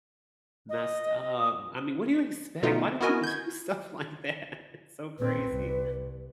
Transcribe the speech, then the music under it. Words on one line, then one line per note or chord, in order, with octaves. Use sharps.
messed up. I mean, what do you expect? Why do people do stuff like that? It's so crazy.
D#5
D#6
B2 D3 A3 B3 D#4 F4
B3 E4 F#4 A#4 D#5 G#5
G6 G#6
A#2 C4 B4
C2